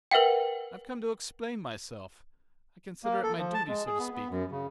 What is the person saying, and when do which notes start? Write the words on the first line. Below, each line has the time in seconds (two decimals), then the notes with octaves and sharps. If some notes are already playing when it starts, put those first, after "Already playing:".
I've come to explain myself, I consider it my duty, so to speak.
0.11 A#4 B4 E5 F#5 G5
3.04 A#3
3.23 A4
3.38 F3
3.54 A5
3.68 G#3
3.86 G#4
3.99 B3
4.14 B3
4.31 F#2
4.51 C#3